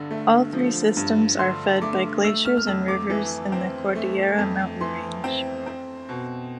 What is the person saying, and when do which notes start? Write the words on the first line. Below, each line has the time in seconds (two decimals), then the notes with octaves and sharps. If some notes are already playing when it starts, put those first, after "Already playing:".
All three systems are fed by glaciers and rivers in the Cordillera mountain range.
Already playing: G2 D3
0.11 A3
0.53 F3
0.97 G2
1.39 D3 C6
1.81 A3 D6
2.24 A3 E6
2.45 F6
2.57 F6
2.67 F2 E6
2.88 D6
3.10 E3
3.52 C4
3.95 A3
4.38 F2
4.80 E3 C6
5.24 C4
5.66 C4
6.09 B2